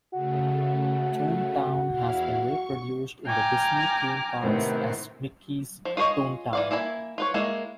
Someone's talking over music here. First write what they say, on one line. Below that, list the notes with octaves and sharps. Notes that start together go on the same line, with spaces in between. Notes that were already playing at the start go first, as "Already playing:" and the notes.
Toontown has been reproduced in the Disney theme parks as Mickey's Toontown.
C#3 A3 F#4
E2 E4 F5
C#6
G5 G#5 A#5 D6 F6
A2 C3 D#3 B3 C4
F3
F4 G#4 C5 C#5 D#5
E3 D5 F5
A#3 E4 G#5 B5
F4 B4 C#5
G#3 A#3 E4